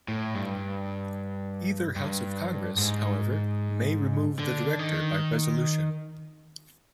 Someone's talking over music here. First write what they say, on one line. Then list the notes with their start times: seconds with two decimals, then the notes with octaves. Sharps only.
Either house of Congress, however, may remove the director by resolution.
0.08 A2
0.35 G2
1.96 G2
2.78 G#2
4.39 D3
4.79 D#3